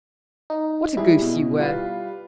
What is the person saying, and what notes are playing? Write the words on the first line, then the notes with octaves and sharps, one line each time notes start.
"What a goose you were."
D#4
G3 G#3 E4 G#4
B2
G3 F4 B4